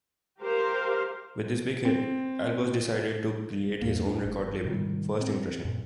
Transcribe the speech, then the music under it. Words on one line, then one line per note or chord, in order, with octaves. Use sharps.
With this big hit, Albers decided to create his own record label, First Impression.
G4 A#4 C5 F5
C4
E2 G2 A#3
D4
G1
G#2 C3 D#3 G3
C4
F#2 A#2